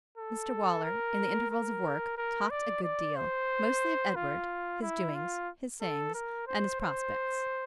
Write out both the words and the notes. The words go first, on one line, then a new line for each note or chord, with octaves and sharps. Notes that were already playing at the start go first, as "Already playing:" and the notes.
Mr Waller, in the intervals of work, talked a good deal, mostly of Edward, his doings, his sayings, and his prospects.
A4
A#4
A#4
A#4
D5
D5
C5
F4
E4
F4
A4
A#4
C5
C5